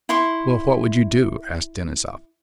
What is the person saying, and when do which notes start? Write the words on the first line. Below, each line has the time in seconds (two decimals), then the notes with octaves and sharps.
"Well, what would you do?" asked Denisov.
0.09 E4 C6 C#6